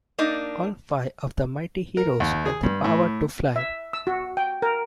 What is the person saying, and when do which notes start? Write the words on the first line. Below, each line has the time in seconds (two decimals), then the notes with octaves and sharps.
All five of the Mighty Heroes had the power to fly.
0.18 A#3 D4 D#4
1.97 A#4
2.20 D#2
2.46 G#4
2.63 G2
2.84 A2
3.56 E5
3.93 E6
4.07 F#4
4.37 G5
4.62 A#4